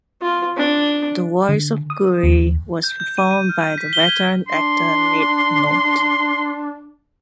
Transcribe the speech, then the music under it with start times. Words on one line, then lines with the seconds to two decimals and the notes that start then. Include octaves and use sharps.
The voice of Kuiil was performed by veteran actor Nick Nolte.
0.21 F4
0.57 D4
1.49 D3
1.90 D#6
2.23 D#2
2.84 G6
3.00 G6
3.17 D#7
3.31 D#7
3.49 F6
3.61 D#7
3.78 B6
3.93 G7
4.08 G#6
4.48 D4 C6